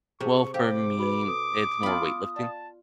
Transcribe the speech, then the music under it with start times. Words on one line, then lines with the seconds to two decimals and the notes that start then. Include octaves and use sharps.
Well, for me, it's more weightlifting.
0.20 C3 G#4 A5 C#6
0.54 G4 A4 C5 F5 G5 D6
0.99 F#4 B4 B5
1.27 A4 D#6
1.83 B3 F4 B5
2.36 D5 F5 A5